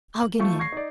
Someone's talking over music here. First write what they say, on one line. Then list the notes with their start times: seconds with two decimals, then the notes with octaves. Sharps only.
I'll get in.
0.20 F#7
0.40 F3 A3 C#6
0.59 C#6 G#6 A#6 C7
0.72 D#4 D5